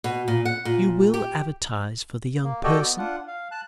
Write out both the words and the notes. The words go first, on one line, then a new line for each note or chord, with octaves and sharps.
"You will advertise for the 'young person'?"
B2
A#2
F#5
A#2
G4
A#3
F#4 G4 A4 D5 D#5 G5
B3
D4 F4 F#5
F5
A5 F#6